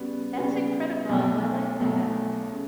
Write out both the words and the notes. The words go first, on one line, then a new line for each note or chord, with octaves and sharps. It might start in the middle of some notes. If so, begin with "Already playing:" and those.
That's incredible, I like that.
Already playing: C#3 G3 B3 F#4 B4
C#3 G3 B3 F#4 B4
B1 B2 A3
B1 B2 A3
C#3